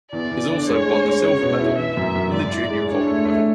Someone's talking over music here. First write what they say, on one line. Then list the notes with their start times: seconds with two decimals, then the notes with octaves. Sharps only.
He also won the silver medal in the junior vault event.
0.12 E2 D5
0.31 E2
0.49 D3
0.67 G#3 C#5
0.85 G#3
1.05 G#3
1.22 C#4 C#5
1.41 B2
1.60 E4
1.78 E3 E5
1.97 F#2
2.15 F#2
2.33 G#2 D5
2.52 E4
2.70 G#3
2.88 D4 C#5
3.07 A3
3.25 A3